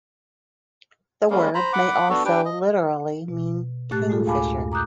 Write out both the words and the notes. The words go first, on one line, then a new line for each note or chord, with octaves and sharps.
The word may also literally mean "kingfisher".
G3 G#3 A#3 C#4
C5 A#5 B5
F#5 B5 D6
B3 D4 F#4 A4
D4 G4 B4 G5
D#5
B2
A2 A3 G4 A5 F#6 A6
G#3 F4 G#4 A4
D2 F5 G#5 A5 B5 D6
F#2
A#5 D6 D#6 F#6 G6